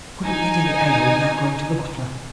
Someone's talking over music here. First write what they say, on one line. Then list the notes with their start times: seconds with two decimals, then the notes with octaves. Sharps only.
I couldn't get any ale without going to the butler.
0.23 D#4 G#5